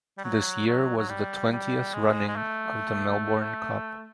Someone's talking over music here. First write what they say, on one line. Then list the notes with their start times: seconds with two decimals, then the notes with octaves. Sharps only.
This year was the twentieth running of the Melbourne Cup.
0.18 G3
0.24 F#3
0.67 F#3
0.98 F#3
1.09 G3
1.52 G3
1.94 G#3
2.28 G#3
2.36 A3